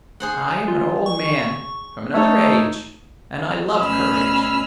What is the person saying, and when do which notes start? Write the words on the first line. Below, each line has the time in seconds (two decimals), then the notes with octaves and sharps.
I am an old man from another age and I love courage.
0.20 G#4 C5 F#5
0.68 F4
1.06 C#6
2.14 A3 D#4 A4 C#5
3.79 D2 B2 C#4 B5 E6 F6